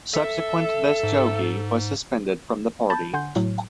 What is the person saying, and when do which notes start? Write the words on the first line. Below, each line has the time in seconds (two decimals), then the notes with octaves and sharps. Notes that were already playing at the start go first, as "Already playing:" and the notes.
Subsequent to this Jogi was suspended from the party.
0.14 A4 E5
1.03 G#2
2.90 A5 B5 G6 A6
3.13 D3 F#5 G#5 C6 G6
3.36 A2 F#3